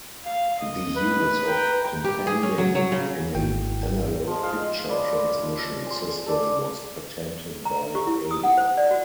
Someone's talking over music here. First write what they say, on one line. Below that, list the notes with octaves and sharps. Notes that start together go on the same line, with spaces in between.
The use of companding in an analog picture transmission system was patented by A.
F5
D#5
B4
G5 A#5
G4
G#4
C#4
F#3
F#3
C#3
G#1 G#2 E4 F#4 G5
F3 G#3
G#3 F5
C#5 D5 B5 D6
G#5 C6
A4 D5
A#5
G4
E4
D#6
F#5
C5
D5
F#4